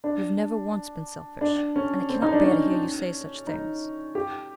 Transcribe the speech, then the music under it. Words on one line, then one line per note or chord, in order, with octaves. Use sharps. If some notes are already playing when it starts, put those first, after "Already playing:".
You've never once been selfish, and I cannot bear to hear you say such things.
D4
D4
C#4
C4
D#4
D4
C#4
D#4
G4